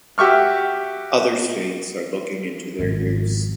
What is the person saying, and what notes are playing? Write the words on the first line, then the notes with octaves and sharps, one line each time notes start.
Other States are looking into their use.
F#4 G4 E5 C#6 F6
G#1 F2